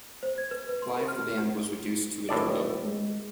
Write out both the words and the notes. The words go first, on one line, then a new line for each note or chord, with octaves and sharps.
Live the band was reduced to a duo.
C5
G#6
B4
B4
C6
A#4
F6
D#1 A2 A4 D5
G#3